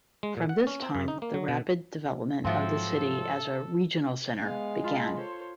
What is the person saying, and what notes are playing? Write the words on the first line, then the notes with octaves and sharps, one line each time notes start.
From this time the rapid development of the city as a regional center began.
G#3
A#2
F#5
C#4
C4
F#2
D#4
A#3
F#3
B2
G#2 F3 F#3 C4 A4 E5 F5 C6
G#3 B3 F5
F4 F5 A5 B5
A4 C5 C#5